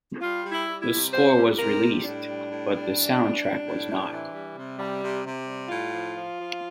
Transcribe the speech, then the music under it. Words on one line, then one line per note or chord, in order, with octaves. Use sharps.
The score was released, but the soundtrack was not.
G3 F4
G3
E4
G3
E4
C3
G3 C5
G3
C3 A#4
G3
A2 D4
G3
A2
G3
E3
G3
G3
A2
C3
E3
G3
C3
G3
C3
C3
G3
A2 F4
F3
F3
F3